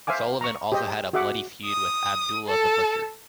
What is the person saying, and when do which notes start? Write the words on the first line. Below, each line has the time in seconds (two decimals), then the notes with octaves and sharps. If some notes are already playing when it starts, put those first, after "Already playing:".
Sullivan also had a bloody feud with Abdullah the Butcher.
0.07 C5 E5 F5 G#5 D6
0.41 A#5 C#6
0.72 G4 G#4 C5 D#5
1.13 F#4 G#4 E5 F#5 D6
1.66 D#6
2.48 A4